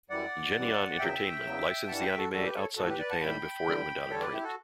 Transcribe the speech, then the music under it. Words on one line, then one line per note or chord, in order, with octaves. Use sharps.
Geneon Entertainment licensed the anime outside Japan before it went out of print.
F#2 E3 G3 D5 F#5
F#2 E3 G3
E2 C#3 F#3 E5 G5
E2 C#3 F#3
G2 E3 G3 F#5 A5
E5 G5
F#4 A4
G2 E3 G3 F#4 A4
G4 B4
A4 C#5
A2 E3 G3 F#4 A4
G4 B4
B4 D5
F#5 A5
A2 E3 G3 G5 B5
E2 D3 G3
E2 D3 G3 A4 C#5
B4 D5
E4 G4
F#4 A4